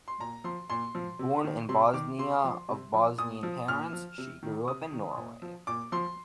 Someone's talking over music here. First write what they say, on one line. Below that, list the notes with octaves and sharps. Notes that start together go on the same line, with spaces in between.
Born in Bosnia of Bosnian parents, she grew up in Norway.
C6
A#2 A#5
F3 C6
A#2 C6
F3
C3
D#3
C3 C6
D#3 D6
C3 C6
F3
C3
F3
A#2 D#6
F3
A#2 F6
F3
C3
D#3
C3 D#6
D#3
A#2
F3
A#2 D6
F3 C6